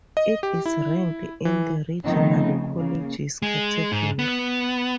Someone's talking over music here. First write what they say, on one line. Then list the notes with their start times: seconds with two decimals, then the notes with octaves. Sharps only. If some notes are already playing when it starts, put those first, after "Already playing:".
It is ranked in the "Regional Colleges" category.
0.17 D#5
0.43 G4
0.66 E4
1.45 E3
2.05 D#3 F3 A3 B3 C4 D#4
2.42 C#3
2.78 C#3 A#3
3.42 G#3
3.92 G#2
4.19 B3